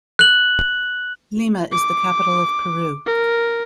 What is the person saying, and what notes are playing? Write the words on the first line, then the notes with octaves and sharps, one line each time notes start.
Lima is the capital of Peru.
F#6 F#7
D6
A#4